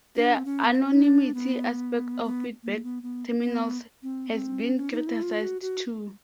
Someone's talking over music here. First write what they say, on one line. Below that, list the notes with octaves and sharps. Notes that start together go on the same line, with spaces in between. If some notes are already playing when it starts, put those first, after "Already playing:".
The anonymity aspect of feedback terminals has been criticized too.
D4
C4
C#4
B3
C4
D#4
D4
B3
B3
A#3
B3
B3
B3
C4
B3
C4
C#4
C#4
D#4
E4
F4
F#4
F#4